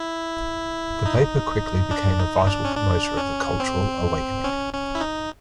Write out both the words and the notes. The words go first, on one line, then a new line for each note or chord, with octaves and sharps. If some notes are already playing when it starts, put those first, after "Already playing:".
The paper quickly became a vital promoter of the cultural awakening.
Already playing: E4
D#4
D4
D#4
D4
C#4
D4
C#4
C4
C#4
C#4
E4
D#4